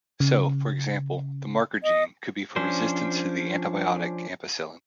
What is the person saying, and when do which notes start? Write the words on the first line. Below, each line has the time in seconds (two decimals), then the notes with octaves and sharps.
So, for example, the "marker gene" could be for resistance to the antibiotic ampicillin.
0.20 C#3
1.83 D#5
2.56 F3 C#4 D4 C5